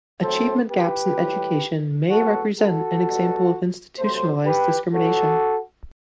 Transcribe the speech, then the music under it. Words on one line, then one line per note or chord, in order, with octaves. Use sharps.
Achievement gaps in education may represent an example of institutionalized discrimination.
A2 F#3 A3 C4 A4 C5
G4 B4
A2 E3 G3
A2 F#3 B3 F#4 A4
F#4 A4
B2 G3 B3
C3 F#3 A3 A4 C5
G4 B4
B2 F#3 B3 F#4 A4